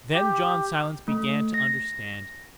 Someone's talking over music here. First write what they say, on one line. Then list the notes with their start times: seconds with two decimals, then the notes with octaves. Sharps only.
Then John Silence began to understand.
0.15 G4
1.08 A3
1.54 A#6